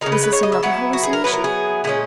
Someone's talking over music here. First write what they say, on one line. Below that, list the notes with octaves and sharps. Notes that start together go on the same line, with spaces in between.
Was this another hallucination?
C#3 G#3 D#4 A#4
B4
B4
C#5
D#5
E5
F#3 B3 E4 F#5
F#4
G#4
A#4
F#3 B3 E4 B4
A#4
G#4
A#2 G#3 C#4 G#4